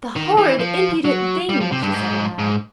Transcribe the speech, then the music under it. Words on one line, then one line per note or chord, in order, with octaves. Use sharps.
"The horrid, impudent thing!" she said aloud.
D#3
E3
F3
F#3
G3
F3
C3
G2
G#2
G#2